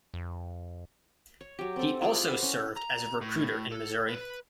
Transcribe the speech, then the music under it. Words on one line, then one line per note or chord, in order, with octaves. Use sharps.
He also served as a recruiter in Missouri.
F2
C#5
F#3 G4
C4 A4
E4 F4 G#4 D5
A4 C5 F#5 B5
C#4
A#5
A2
A4
B4